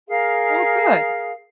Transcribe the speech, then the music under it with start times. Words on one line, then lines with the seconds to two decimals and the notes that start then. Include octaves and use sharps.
Oh, good.
0.08 G#4 A#4 F5